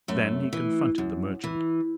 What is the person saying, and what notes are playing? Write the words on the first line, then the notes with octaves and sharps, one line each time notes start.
Then he confronted the merchant.
F#2 A3
E3
F#2
E3